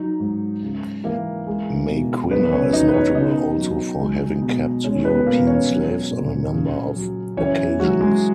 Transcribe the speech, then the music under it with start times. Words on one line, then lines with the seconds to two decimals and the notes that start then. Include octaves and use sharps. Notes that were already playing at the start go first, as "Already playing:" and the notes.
Maquinna is notable also for having kept European slaves on a number of occasions.
Already playing: F#3 D#4
0.20 G#2
0.63 C#3
1.04 E3 A#3 A#4
1.47 G#3
1.89 B2
2.31 F#3 B3 B4
2.52 C#4 C#5
2.73 B2 D#4 D#5
2.88 B4
2.94 C#4 C#5
3.15 C#3 D#4 D#5
3.58 F#3
4.00 G#3
4.42 B2
4.84 G#3 C#4 C#5
5.05 B3 B4
5.26 B2 A#3 A#4
5.47 C#4 C#5
5.69 F#3
6.11 A#2
6.52 C#3
6.96 F#3
7.37 E3 C#4 C#5
7.79 F#3 G#3 F#4
8.01 G#3 G#4